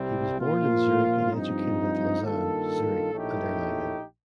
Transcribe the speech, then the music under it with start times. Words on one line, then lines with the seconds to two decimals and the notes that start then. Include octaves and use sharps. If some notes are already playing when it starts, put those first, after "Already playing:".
He was born in Zurich and educated at Lausanne, Zurich and Erlangen.
Already playing: C2 C3 G3 C4
0.39 A#2 F3 A#3 F4
1.30 G2 F3 C4 D#4
2.22 G2 D#3 A#3 F4 A4
3.12 A#1 A2 A3 D#4 G4